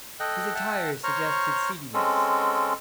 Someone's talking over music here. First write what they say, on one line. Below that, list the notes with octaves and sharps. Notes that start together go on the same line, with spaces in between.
His attire suggested seediness.
A4 D#5 G5 F#6
E5 F#5 G5 A5
C5 C#5 A#5 C#6 F6
G#3 C4 C#4 A4